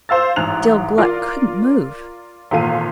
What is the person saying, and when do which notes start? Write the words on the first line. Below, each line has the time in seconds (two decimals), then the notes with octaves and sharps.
Still Gluck couldn't move.
0.09 C5 F5 E6 A6
0.36 A1 G#2 F#6 F7
0.98 F4 A#4 D5
2.51 G#1 E2 A#2 A4 F5 D#7